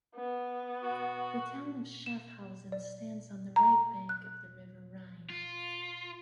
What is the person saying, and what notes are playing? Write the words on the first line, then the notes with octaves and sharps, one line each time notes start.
The town of Schaffhausen stands on the right bank of the river Rhine.
B3
F#4
E7
D5
A#5
F#6
F4